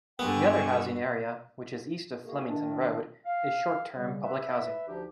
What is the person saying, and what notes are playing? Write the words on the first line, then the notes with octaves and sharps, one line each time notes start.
The other housing area, which is east of Flemington Road, is short-term public housing.
G2 D3 B3 G4 G5 G#5 C#6
D#3 A3 A#3 F#4 G#4
D#3 D4
F5
C#3 G3
B4 E5
D2 F3 D#4 G4